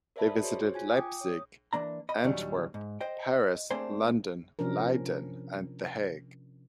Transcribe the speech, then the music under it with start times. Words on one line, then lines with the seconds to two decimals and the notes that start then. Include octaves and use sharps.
They visited Leipzig, Antwerp, Paris, London, Leiden and The Hague.
0.16 A#4 C5 D5 E5 A5 B5
0.28 A4
0.43 F#4 G#4 C5 C#5
0.74 F4 G#5 G#6
0.91 G5 D6 D#6
1.21 C#5 D#6
1.73 E3 A#3 D4 A#5
2.09 D#5 B5
2.24 D#2 A#2 F#3 G3 D4
2.74 G#2
3.01 C5 D#5 G5
3.71 A3 A#3 C4 D4 G#4 C5
4.59 C3 F3 C#4 D4 A#4